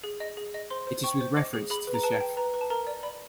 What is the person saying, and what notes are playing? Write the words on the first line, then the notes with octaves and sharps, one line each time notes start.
It is with reference to the chef.
G#4
D#5
G#4
D#5
C5 C6
C5
G5 C#6
C5
D#5 D6
G#4
G#4 B5
B4
A#5
B4 A5
G5
B4 A#5
B4
A5
A#4 A#5
D5
D5 B5